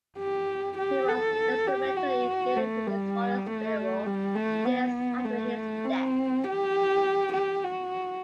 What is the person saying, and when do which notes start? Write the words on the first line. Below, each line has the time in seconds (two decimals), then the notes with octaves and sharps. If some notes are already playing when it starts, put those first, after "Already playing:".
He was instrumental in dealing with his father's burial, years after his death.
0.19 G4
0.78 G4
1.08 A4
1.67 G4
1.97 F#4
2.56 A3
2.87 G3
3.47 A3
4.06 G3
4.35 A3
4.65 B3
5.25 A3
5.84 C4
6.44 G4
7.33 G4
7.64 F#4